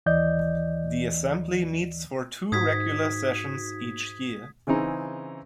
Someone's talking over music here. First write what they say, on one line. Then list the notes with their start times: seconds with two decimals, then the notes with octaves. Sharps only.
The Assembly meets for two regular sessions each year.
0.06 D#2 E3 D5 D#5 G6
2.52 G#2 D#4 F#4 D#6 G#6 B6
4.67 C#3 E3 C4 D#4 G#4